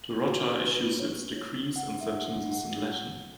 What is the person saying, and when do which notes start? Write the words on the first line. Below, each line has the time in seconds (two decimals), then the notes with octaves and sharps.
The Rota issues its decrees and sentences in Latin.
0.24 F#4
0.62 B4
1.00 C#5
1.76 F#5
2.01 E5
2.26 F#5
2.52 F#5